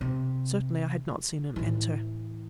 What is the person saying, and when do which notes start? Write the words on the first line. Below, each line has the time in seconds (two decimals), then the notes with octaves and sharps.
Certainly, I had not seen him enter.
0.01 C3
1.56 A2 E3